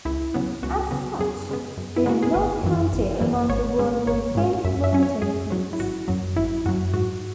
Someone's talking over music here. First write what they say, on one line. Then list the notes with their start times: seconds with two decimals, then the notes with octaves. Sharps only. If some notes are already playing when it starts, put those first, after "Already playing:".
As such, they are not counted among the world volcanic mountain peaks.
0.05 C#2 E4
0.34 C#3 F#3 B3
0.63 C#2 F#4
0.91 C#3 F#3 B3
1.19 F#2 G#4
1.49 C#3 G#3 B3
1.77 F#2
1.96 E4
2.06 C#3 G#3 B3 F#4
2.23 G#4
2.34 G#1 B4
2.63 F#2 E3
2.93 G#1
3.21 F#2 E3
3.49 G#1 C#5
3.79 G#2 G#3 C#4
4.06 G#1 C#5
4.35 G#2 G#3 C#4
4.65 F#2 E5
4.84 E5
4.93 F#3 C#4
5.03 C#5
5.22 F#2 G#4
5.50 F#3 C#4
5.73 E4
5.79 G#1 F#4
6.08 F#2 F#3
6.36 G#1 E4
6.66 F#2 F#3 F#4
6.94 G#2 F#4